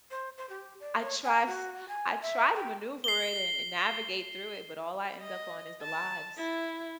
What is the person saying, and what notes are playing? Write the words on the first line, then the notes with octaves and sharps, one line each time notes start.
try s I try to maneuver it and navigate through it, but all I end up on is the "lives".
C5
C5
G4
D5
C#5
G#5
F#4
G#5
E5
G5
C7 G7
D#5
A5
E4